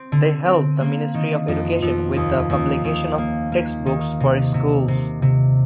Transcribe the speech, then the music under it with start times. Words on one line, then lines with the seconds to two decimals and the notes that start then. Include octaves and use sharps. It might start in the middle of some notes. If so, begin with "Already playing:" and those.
They helped the Ministry of Education with the publication of text books for schools.
Already playing: C4
0.12 D3
0.46 C4
0.80 A#3
1.14 D#3
1.48 F2
1.82 F2
2.16 D#2
2.50 D#2
2.84 D#2
3.18 A#3
3.52 A#3
3.86 D#3
4.20 C3
4.54 C3
4.88 C3
5.22 C3